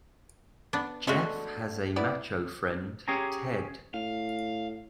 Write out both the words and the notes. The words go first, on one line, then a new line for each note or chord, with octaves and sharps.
Jeff has a macho friend, Ted.
B3 D4
D3 G#3 A3 F#4
B3 E4 D5
C#4 G4 G#4 C#5 A#5
A2 F5